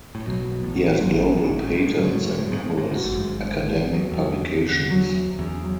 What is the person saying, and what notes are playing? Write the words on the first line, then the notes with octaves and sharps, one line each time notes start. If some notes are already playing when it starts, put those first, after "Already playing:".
He has global patents and numerous academic publications.
A2
B1 B2 F#3
B3
A1 A2
F#4
G#1 G#2 F#3
B3
A2
G#1 G#2
A2
G#2 C#3
A2
G#2 F#3
A2
G#2 A3
A2
G#3
G#2
A2
C#4
G#2
A2 F#4
G#1 G#2
F#2
G#1 G#2 G#3
D4
A4
E2 F#3
E2
A3
D4
D3
F#3
D2
E2 C#3
F#3